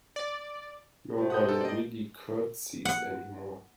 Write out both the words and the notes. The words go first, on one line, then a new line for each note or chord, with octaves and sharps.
Nobody really curtsies anymore.
D5
B2 A3 G#4 C5
G4 F#5 D#6 G6
D#4 A4
A#3 D5 D#5
F#5